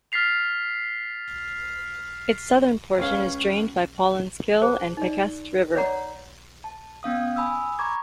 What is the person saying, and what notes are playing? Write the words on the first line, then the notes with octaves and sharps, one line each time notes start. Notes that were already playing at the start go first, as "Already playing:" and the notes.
Its southern portion is drained by Paulins Kill and Pequest River.
F6 A6 B6 C7 F7
C#2 C#4 F5
G#4 C5 A5
D#4 D5
B4 C#5 D5 F#5 A#5
A5
B3 C#4 F5 D#6
G#5 B5 D#6 E6
A#5 B5 C#6 D6 G#6